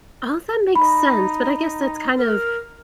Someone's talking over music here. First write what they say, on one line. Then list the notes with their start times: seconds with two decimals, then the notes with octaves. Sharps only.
All that makes sense, but I guess that's kind of,
0.75 D#4 B5
2.17 A#4